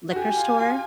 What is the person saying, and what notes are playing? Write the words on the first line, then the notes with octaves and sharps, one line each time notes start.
liquor store?
F#4
G4 G#5
F4
F4